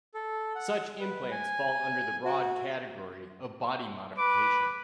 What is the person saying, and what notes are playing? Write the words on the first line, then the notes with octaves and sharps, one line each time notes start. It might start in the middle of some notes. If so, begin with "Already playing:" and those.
Such implants fall under the broad category of body modification.
A4
F#5
B4
G#5
F#4
B4 D6